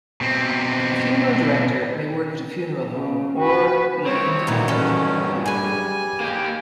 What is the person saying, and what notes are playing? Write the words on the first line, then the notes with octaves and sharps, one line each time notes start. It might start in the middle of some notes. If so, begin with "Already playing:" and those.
A funeral director may work at a funeral home or be an independent employee.
B2 C4
C#3
F#4 B4
C2 C4 C#5
G2 A#2 D#3 F#3 E4
D#3 E3 C#4 A4
G3 G#4 B4 G#5
A#3 G4